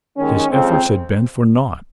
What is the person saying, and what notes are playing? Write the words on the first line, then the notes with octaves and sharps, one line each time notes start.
His efforts had been for naught.
D#2 D#3 G#3 C#4
F2 C#3 G#3 C4